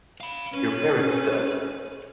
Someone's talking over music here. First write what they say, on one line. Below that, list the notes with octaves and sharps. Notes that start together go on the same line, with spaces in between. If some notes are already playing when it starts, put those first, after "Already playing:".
Your parrot's dead.
F5 B5
C#4 B4